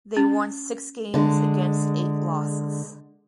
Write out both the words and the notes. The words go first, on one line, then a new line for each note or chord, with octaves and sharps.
They won six games against eight losses.
C#4
D3 G#3